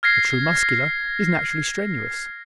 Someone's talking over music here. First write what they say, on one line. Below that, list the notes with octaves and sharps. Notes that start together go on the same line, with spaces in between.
The true Muscular is naturally strenuous.
F6 G#6 A#6 C7